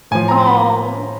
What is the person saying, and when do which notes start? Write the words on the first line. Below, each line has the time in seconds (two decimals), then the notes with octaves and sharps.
Oh, n
0.11 A2 G#5
0.15 F3
0.28 A#5
0.46 B5